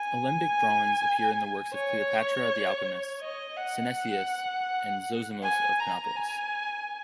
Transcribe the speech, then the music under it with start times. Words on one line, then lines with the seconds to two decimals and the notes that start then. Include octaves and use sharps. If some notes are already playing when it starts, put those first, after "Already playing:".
Alembic drawings appear in works of Cleopatra the Alchemist, Synesius, and Zosimos of Panopolis.
Already playing: G#5
1.73 C#5
3.21 D#5
3.57 F#5
5.42 G#5
5.79 A#5
6.16 G#5